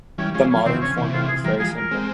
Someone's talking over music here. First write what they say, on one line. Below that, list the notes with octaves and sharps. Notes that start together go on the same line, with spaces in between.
The modern format is very simple.
E3 G3 C#4
F3 G#3 C#4
C#4
F3
C3 E3 C4
C#3 C#4
C3 E3
F4
G#4
E3 G3 A#4
F3 G#3 G#4
A#4
G#3 C4